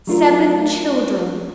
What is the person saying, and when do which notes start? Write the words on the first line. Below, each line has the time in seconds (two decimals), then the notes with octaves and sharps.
Seven children!
0.07 F#3 A3 D4 F4 A#4